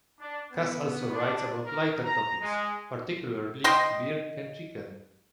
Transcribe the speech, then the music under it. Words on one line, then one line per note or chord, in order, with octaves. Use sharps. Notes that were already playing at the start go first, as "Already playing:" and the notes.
Kass also writes about lighter topics, particularly beer can chicken.
D4
B3
D4
A#4
A#5
G#3
D#5 G5 C6